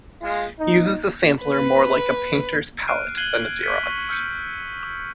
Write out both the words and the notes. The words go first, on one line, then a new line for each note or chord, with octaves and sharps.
He uses the sampler more like a painter's palette than a Xerox.
G#3 F4
D#4
B4
F6 F#6 C7 D7 D#7
F#6 G#6 C7 D#7 F#7 G7
G#6 B6 C#7 D#7
C#6 B6 D#7
E6 F6 G6 C#7 D#7